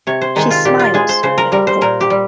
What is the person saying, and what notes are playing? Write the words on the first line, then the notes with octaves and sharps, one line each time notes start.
She smiles with hope.
C3 C#5
C5
D#3 G#3 D#4
F4
A#2 G4
F4
G#3 G#4
C5
C#3 C5
A#4
G3 A#4
C5
A#2 A#4
G4
G3